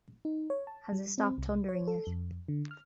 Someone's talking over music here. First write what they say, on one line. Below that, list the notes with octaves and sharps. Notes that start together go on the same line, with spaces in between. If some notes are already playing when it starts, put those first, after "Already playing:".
Has it stopped thundering yet?
D#4
C#5
A5
G3
C4
C2
C#5
A4
F2
D3
F6